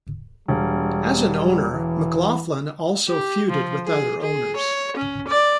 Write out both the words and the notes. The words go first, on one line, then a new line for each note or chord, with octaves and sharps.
As an owner, McLaughlin also feuded with other owners.
E1 G3
E3
G4
F3
G#4
G#4
C#5
C#4
D5